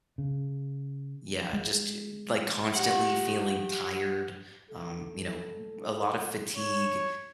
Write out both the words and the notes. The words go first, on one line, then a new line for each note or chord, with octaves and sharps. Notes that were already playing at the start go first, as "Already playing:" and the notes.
yeah, just i like, constantly feeling tired, um, you know, w a lot of fatigue;
C#3
G#3
G4 F#5
A4
C#5